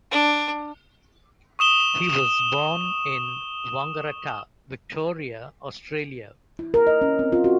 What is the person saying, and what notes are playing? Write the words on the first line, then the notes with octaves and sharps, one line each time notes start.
He was born in Wangaratta, Victoria, Australia.
D4
C#6 D#6 E7 G7
E4
A#4
D#5
C#4
C4
F4
F#4